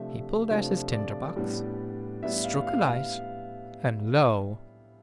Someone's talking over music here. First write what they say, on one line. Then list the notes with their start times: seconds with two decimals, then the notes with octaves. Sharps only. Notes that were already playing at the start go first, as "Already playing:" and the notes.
He pulled out his tinder-box, struck a light, and lo!
Already playing: C3 F3 A3 D4 E5
0.50 C3 F3 A3 D4
0.93 D5
1.36 A2 G3 B3 D4
2.23 A2 G3 B3 D4 E5
2.44 F5
2.67 F5